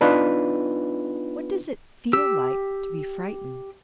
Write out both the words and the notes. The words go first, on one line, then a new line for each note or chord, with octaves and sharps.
'What does it feel like to be frightened?'
B3 D4 D#4 F4 B4
G4 E6